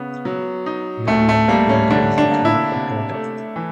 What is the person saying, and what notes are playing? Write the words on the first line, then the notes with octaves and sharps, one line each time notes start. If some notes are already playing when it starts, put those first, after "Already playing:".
Veolia Water is the current operator.
Already playing: C#3 B3
F#3
D#4
D2 A3
A3
G3 A#3
C#4
D3 D4
D4
A#3
E4
C3
A3
E3